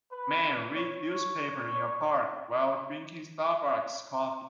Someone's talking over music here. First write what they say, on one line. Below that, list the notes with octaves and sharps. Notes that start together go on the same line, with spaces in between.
Man reads newspaper in a park while drinking Starbuck 's coffee.
B4
C#5